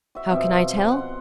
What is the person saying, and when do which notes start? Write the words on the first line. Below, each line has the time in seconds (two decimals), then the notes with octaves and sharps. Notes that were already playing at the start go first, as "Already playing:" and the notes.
How can I tell?
0.15 F#4 E5
0.30 B2 F3 C4 D6
0.92 F#5 C6